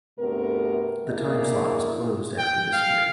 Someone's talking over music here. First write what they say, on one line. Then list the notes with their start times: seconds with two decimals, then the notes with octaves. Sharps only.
The time slot was closed after this year.
0.19 D2 G2 C3 A3 B3 A#4
1.08 D2 A#3 E4 G#4 D5 D#5
2.38 G5
2.73 F5